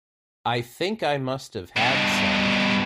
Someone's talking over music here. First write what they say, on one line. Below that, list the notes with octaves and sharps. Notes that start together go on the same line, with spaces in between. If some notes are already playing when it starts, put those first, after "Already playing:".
I think I must have had some.
G2 B2